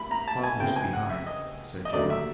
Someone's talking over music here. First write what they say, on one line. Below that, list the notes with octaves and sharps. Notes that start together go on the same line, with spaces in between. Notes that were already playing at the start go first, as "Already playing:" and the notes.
'Father's behind,' said John.
Already playing: B5
A#5
A5
G#5
C#2 B2 G#3 C4 E4 G5
G#5
F#5
E5
D#5
D#5
D#2 D3 F#3 A3 D5
E5